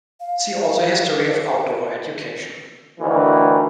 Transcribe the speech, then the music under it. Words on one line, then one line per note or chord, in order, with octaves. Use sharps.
See also History of outdoor education.
F5
D2 D#3 E3